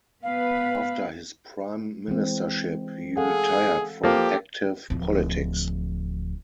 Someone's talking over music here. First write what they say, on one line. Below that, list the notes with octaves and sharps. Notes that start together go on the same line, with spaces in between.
After his prime ministership, he retired from active politics.
B3 B4 F5
E3 G#3 C4
G#4 A4 F5 F#5
F3 A#3 G4 A4
D1 F3